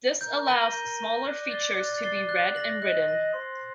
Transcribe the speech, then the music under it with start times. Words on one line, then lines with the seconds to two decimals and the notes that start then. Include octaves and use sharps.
This allows smaller features to be read and written.
0.21 A#4 G6
0.47 A#6 D#7 G7
0.73 G6
0.99 A#6 D#7 G7
1.25 D5 F#6
1.51 A6 C7 G7
1.77 F#6
2.03 A6 C7 G7
2.29 F#6
2.56 A#6 F#7
2.82 D#5 F#6
3.08 A#6 F#7
3.33 C5 C6